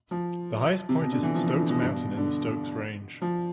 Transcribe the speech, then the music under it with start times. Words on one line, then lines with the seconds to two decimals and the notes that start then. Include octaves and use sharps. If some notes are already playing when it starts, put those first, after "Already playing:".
The highest point is at Stokes Mountain in the Stokes Range.
0.11 F3
0.89 C3
1.00 B2
1.12 D3
1.23 E3
1.35 F3
1.46 E3
1.59 D3
1.70 B2
1.82 G2
1.93 B2
2.17 D3
3.22 F3